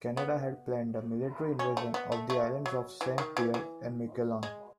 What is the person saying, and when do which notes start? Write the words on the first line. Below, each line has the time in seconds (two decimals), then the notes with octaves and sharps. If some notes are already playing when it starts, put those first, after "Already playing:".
Canada had planned a military invasion of the islands of Saint-Pierre and Miquelon.
0.17 B3
1.59 C#4
1.77 A3
1.94 B3
2.12 A3
2.30 A3
2.66 F#3
3.01 E3
3.18 D#3
3.37 E3
3.54 E3
4.43 G#3